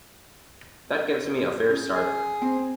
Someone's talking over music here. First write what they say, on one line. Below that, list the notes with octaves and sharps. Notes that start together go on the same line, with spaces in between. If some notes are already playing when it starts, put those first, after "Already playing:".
That gives me a fair start.
C#3
G#4
C4